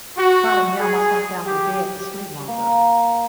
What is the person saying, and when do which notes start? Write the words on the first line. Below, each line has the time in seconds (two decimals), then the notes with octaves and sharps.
probably nail myself down to the bed to sleep longer.
0.18 F#4
0.80 G#4
1.46 G4
2.48 A#3